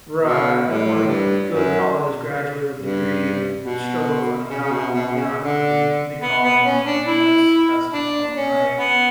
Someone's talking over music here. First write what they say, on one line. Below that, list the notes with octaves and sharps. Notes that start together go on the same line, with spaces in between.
Right, I I don't wanna go to college, graduate with a degree, and then struggle to find a job while I've got a big big college loan and that's that's the problem, right?
B2
A2
A2
G2
F#2
G2
B2
C#3
C#3
B2
B2
C#3
D3
B3
B3
C#4
D4
E4
D4
C#4
B3